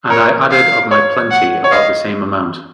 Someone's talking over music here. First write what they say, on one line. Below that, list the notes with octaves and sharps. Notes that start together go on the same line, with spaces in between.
And I added of my plenty about the same amount.
A#4 C#5
F5
C#5
F#5
C#5
D#5 F5